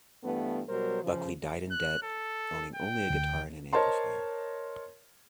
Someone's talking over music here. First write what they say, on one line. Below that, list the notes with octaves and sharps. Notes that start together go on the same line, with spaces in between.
Buckley died in debt, owning only a guitar and an amplifier.
G2 E3 A3 B3
B2 F#3 G3 A#4 C5
C#3 F3
F#6
A4
G5
D2
A#4 C5 C#5 D#5 A5 C6